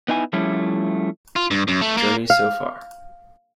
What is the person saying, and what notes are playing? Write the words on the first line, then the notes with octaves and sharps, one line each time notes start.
"Journey So Far".
B3 D#4 E4 G#5
F3 G3 A3 C#4 E4
F4
G2
F#2
A3
A#3
F5